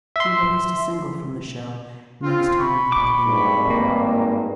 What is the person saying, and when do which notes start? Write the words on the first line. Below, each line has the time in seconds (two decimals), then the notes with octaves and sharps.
He released a single from the show, "Next Time You Fall in Love".
0.16 E5 C6
2.23 C4 F4
2.58 B5 C#6
2.92 D6
3.26 G#1 G2
3.70 A#3